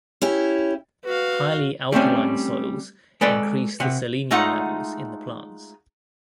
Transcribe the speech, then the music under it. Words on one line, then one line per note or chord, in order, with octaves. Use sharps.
Highly alkaline soils increase the selenium levels in the plants.
C#4 E4 G4
F#4 B4 F5
G3 A3 C4 C#4
G#3 A4 B4 D5 G5
C3 F#5
G#3 A3 D#4 F4 F#5